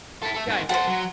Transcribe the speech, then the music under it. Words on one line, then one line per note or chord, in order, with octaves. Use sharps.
Yeah, I do.
E4 A4
A4 E5
G#2 D#3
A4 C5 F#5 C6
F#3